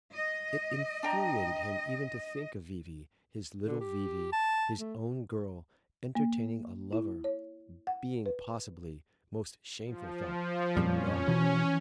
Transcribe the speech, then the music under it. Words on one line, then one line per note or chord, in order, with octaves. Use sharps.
It infuriated him even to think of V.V., his little V.V., his own girl, entertaining a lover, being possibly--most shameful thought--IN LOVE!
D#5
D4 G5 A#5
D3
G4
A5
A3
A#3
E4
C#5
F#5
B4
F3
F2 A#2 G3 C#4
B2 E3